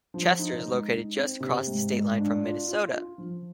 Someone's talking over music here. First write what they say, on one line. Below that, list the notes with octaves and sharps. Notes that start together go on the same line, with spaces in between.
Chester is located just across the state line from Minnesota.
F3
D#4
G#3
D#4
C4
C3
G#2
G#2
D4
F4
F4
F4
F3